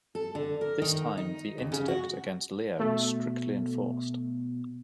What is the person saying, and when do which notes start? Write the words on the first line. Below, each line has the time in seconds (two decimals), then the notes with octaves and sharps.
This time the interdict against Leo was strictly enforced.
0.15 A4
0.35 D3
0.61 A#4
0.82 D#3
1.17 D#4
1.58 D#2
1.72 C#3
1.88 F#4
2.80 B2 A3